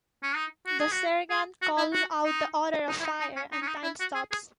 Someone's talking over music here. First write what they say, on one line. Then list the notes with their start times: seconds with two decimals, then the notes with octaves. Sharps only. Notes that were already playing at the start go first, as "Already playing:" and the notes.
The sergeant calls out the order to fire, and time stops.
0.23 C#4
0.35 D#4
0.66 F#4
0.80 G#4
0.92 F#4
1.30 G#4
1.62 F#4
1.78 E4
1.93 F#4
2.25 D#4
2.89 D#4
3.00 E4
3.04 D#4
3.20 D#4
3.36 C#4
3.52 D#4
3.62 C#4
3.68 D#4
3.83 E4
4.00 F#4
4.15 G#4
4.31 G#4